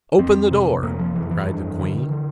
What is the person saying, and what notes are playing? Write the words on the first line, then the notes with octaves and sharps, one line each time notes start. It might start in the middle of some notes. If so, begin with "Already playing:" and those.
"Open the door!" cried the queen.
F2 C4
C3
F2 A#3
F3
F2 E3
E3
G2
D3
D3